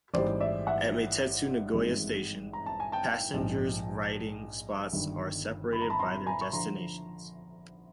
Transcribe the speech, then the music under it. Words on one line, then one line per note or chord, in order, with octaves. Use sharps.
At Meitetsu Nagoya Station, passengers' riding spots are separated by their destinations.
A1 G#2 E3 G3 C5 D5
D5 E5
E5 F#5
G#1 G2 E3 G#3
A#5
A5
G#5
G5 A5
A#1 G#2 F3
G1 G2 D#3
B5
A#5
A5 B5
A#5 C6
G#5 A#5
C#6
D3 F3 A#5 C6